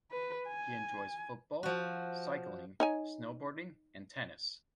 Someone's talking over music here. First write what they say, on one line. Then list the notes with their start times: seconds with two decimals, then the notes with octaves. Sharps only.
He enjoys football, cycling, snowboarding and tennis.
0.11 B4
0.48 G#5
1.63 F3 F#4
2.80 D#4 C#5 G#5